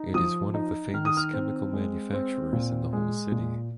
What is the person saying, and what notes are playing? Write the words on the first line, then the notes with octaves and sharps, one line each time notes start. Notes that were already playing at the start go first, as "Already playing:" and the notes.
It is one of the famous Chemical manufacturers in the whole city.
Already playing: D#4
F3 D#6
D#4
D#3 F6
D#6
F6
C4
G#3
C4
A#2
G#3
A#2